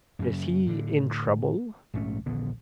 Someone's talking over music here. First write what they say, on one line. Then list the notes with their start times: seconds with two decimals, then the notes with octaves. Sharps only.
Is he in trouble?
0.19 F#2 C#3
0.67 A2 D3
1.94 A#1 G#2 A3 C#4
2.26 D#1 A#1 D3 B3